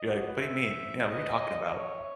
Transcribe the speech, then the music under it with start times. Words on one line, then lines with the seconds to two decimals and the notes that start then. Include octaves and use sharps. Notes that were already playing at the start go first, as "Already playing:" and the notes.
You're like, "What do you mean? Yeah, what are you talking about?"
Already playing: D#5
0.08 G4
0.18 F#4
0.28 B4
0.40 C5 E5
1.03 D#5
1.15 B4
1.25 C5
1.34 C#5
1.51 D5
1.67 C#5 D#5
1.98 E5